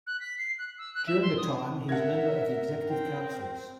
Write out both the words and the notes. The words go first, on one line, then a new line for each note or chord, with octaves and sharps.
During a time, he was member of the Executive Councils.
F#6
B6
C7
F#6
E6
F#6
E5
C6
D#6
A#4 E5 F#5 G#6
C4 G5